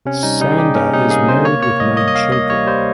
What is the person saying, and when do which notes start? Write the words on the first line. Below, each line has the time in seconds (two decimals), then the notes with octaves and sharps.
Sanda is married with nine children.
0.06 C3 C#4
0.23 G3 D#4
0.40 G3 D#4
0.52 G#4
0.58 G3 G4
0.75 A#3 C#4
0.93 C3 D#4
1.10 A#3 G#4
1.28 C3 C5
1.45 A#3 C#5
1.62 A#3 C#5
1.80 G3 D#5
1.97 A#3 D#5
2.08 D#5
2.15 A#3 F5
2.32 A#3 D#5
2.50 G3 C#5
2.66 G3 C5